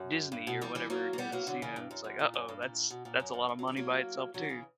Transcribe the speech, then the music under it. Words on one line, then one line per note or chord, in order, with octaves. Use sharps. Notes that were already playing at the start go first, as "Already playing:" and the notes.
Disney or whatever it is, you know, it's like, "Uh-oh, that's that's a lotta money by itself too."
Already playing: F#2
G2
B2
E3 G3
E3 G3
F#3 A#3
A#3
G3 B3
F#3 A#3
D3 F#3
C#3 E3
G2
F#2
F#2
A#2
F#2
G2
A#2
B2
A#2
F#2
F#2
G2
F#3
E3 G3
F#3 A#3
D3 F#3
C#3 E3